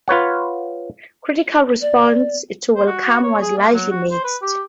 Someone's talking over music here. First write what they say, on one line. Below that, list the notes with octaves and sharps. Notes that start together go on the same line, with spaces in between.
Critical response to "Welcome" was largely mixed.
F4 B4 C#5 F#5
D5
C5
F#4
F#4
C#5
G#4
A#3
F#3
F#4
C5
B4
G4